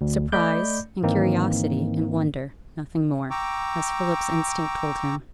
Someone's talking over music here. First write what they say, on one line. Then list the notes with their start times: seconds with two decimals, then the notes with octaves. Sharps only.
Surprise, and curiosity, and wonder; nothing more, as Philip's instinct told him.
0.01 D2
0.32 A3 D5 D#5 B5 D6 G6
1.03 G#2 D#3 E3 A#3 C4 D#4
3.30 G5 A#5 C#6 D6 E6